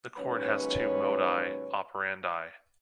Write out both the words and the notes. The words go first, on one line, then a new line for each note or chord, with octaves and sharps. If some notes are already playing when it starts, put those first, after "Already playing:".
The court has two modi operandi.
D#2 G#2 F#3 C#4 B4 C#5